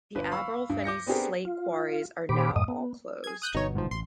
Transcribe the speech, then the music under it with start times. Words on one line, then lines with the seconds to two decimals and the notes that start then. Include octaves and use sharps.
The Aberllefenni slate quarries are now all closed.
0.15 G1 D3 B4
0.31 F5 B5 C#6 E6
0.70 G2
0.84 D6 G6 A#6 C#7
1.07 B3 C4 D4 G4 G#4 A#4
1.45 F4
2.29 A#2 D#3 G4 C5 B5 D6
2.56 F#2 A2 D#5 D#6
2.68 B3
3.24 G#4 G#6
3.42 D#6 F#6 G6
3.55 G1 B2 D#4 C#5
3.75 G#2 D#3 F3
3.91 A1 C6